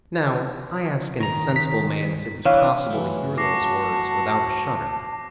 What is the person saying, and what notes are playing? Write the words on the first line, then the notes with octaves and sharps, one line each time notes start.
Now I ask any sensible man if it was possible to hear those words without a shudder.
D#3 A#5
B6
E3 D4 B4 C#5 F5
E3 F#3 A3
F#4 A5 D6 A#6 C7